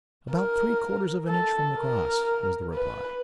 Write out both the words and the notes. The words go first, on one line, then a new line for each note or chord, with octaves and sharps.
"About three-quarters of an inch from the cross," was the reply.
A#4
A4
A#4
B4